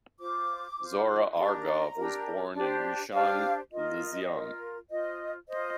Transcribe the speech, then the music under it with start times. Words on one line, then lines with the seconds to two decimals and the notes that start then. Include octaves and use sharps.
Zohar Argov was born in Rishon LeZion.
0.19 F4 C5 D6
0.77 F4 C5
1.36 D4 G4 A#4 A#5
1.95 D4 G4 A#4
2.54 D4 G4 C5
3.13 D4 G4 C5 F5
3.71 F4 A#4 D#5
4.30 F4 A#4
4.89 F4 C5 D#5
5.48 F4 C5 D#5